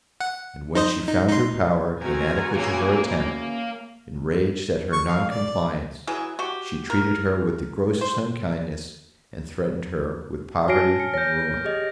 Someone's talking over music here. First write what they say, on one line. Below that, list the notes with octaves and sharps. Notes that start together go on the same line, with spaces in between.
And, when she found her power inadequate to her attempt, enraged at her non-compliance, she treated her with the grossest unkindness, and threatened her with poverty and ruin.
F#5
D#4 C5 D#5
D#4
D#4 C6
B2 C4 F#4 G#5 A#5
E3 A#3 C#4 G#4
C#6
F5
D5
E3 F#3 G#4
F#4 G4
A#4
C5
F#4 C#5 G#5 A5 F6 A#6 C7 D7
G#5 C#7
C#5 G6 A#6
G4 G#4 D#5